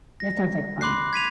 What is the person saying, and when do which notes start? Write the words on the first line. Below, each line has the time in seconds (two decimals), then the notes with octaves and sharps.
that sounds like fun.
0.20 A#6
0.81 B5 C6 D6 F#6 C7
1.13 G#6 B6 D#7 F7